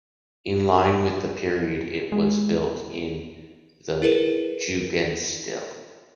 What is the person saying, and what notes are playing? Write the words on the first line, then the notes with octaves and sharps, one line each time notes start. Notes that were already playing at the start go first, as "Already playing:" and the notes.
In line with the period it was built in the Jugendstil.
G#3
E4 G#4 A#4 B4